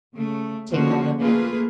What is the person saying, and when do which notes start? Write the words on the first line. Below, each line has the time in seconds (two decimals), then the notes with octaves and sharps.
take note of it.
0.15 C#3 A3
0.70 D3 F3 G#3 A#3 C#4 F#4
1.19 A3 A#3 F4 G#4 B4